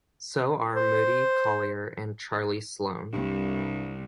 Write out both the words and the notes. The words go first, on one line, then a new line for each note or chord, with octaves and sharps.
So are Moody Collier and Charlie Sloane.
C5
C2 G2